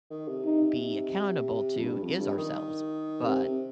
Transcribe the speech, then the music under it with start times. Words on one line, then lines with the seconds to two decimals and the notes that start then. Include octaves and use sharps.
be accountable to is ourselves, but
0.10 D#3
0.28 C3
0.45 D#4
1.78 F2
1.85 G2
2.03 F2
2.20 G2
2.37 D#3
3.24 C3 C4